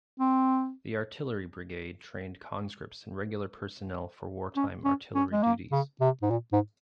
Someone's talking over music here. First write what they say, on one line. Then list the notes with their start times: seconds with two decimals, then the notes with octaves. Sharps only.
The Artillery Brigade trained conscripts and regular personnel for wartime artillery duties.
0.20 C4
4.56 C#4
4.85 C#4
5.15 C#4
5.32 G#3
5.43 A#3
5.72 C#3
6.01 C3
6.22 G#2
6.30 A#2
6.53 G#2